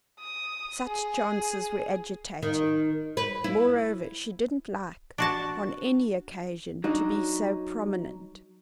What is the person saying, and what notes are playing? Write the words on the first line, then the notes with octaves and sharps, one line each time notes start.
Such chances were agitating; moreover, she didn't like, on any occasion, to be so prominent.
D#6
G#4
D#3
B4
E4
D4 F#4 A5
F#3 D4 D#4